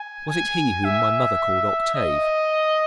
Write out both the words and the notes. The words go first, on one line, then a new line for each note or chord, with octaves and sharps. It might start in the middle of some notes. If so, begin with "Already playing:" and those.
Was it he whom my mother called Octave?
Already playing: G#5
G#5
E5
D#5